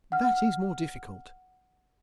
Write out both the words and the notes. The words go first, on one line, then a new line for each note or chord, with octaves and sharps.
"That is more difficult."
F#5 F6